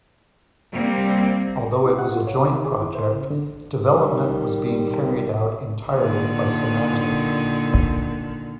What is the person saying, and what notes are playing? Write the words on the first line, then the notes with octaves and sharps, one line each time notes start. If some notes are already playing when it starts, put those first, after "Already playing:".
Although it was a joint project, development was being carried out entirely by Symantec.
C3 G3 A#3 C4
E4
F#5
F4
C#5
C3
D#3
G#4
E4
C5
C#3
D3
D#3 G3
A#2 D3 D#3